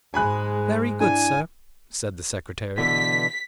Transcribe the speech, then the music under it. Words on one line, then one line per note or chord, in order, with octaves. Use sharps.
"Very good, sir," said the secretary.
G#2 G#3 G#5 B5 F#6
D4 E4 G#5
B2 D3 E3 B6